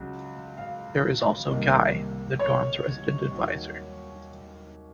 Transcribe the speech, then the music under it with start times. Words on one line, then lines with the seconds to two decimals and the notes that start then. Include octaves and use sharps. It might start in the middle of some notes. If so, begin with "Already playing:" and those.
There is also Guy, the dorm's resident adviser.
Already playing: C#2 C#3 F#3
0.57 F5
1.49 C2 C3 D#3 A#3
2.39 C#5
3.31 D#2 D#3 F#3